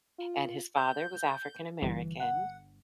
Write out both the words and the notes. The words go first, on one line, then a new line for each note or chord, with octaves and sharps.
and his father was African American,
F4
G6
G1 E3
F#5